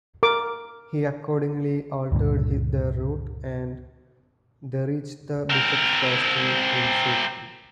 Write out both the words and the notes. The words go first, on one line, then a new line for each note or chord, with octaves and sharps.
He accordingly altered their route, and they reached the bishop's castle in safety.
A#4 D6
C#2 G2 A#2 D3
C4 A#4